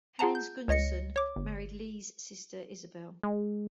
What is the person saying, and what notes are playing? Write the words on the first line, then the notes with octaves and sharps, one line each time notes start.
Hans Gunderson married Lee's sister Isabel.
F4 G#4 F#5 A5 A#5
G6
C#2 C#5 D#5 A#6 C#7
C#5 D6
G1
G#3